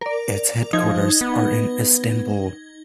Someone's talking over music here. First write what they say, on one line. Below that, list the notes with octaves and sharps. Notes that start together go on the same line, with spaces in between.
Its headquarters are in Istanbul.
A#4 D5
F3 D#4 G#6
B3